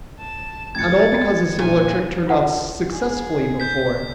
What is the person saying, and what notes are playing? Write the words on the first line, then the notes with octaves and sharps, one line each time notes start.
And all because a similar trick turned out successfully before!
A5 E7
F2 A2 D3 G#6 A6 C#7
G5 G#5 A#5
A#2 D4 D#4 G#5
E4 F4 B4 F#5 A5
G#4
G6 B6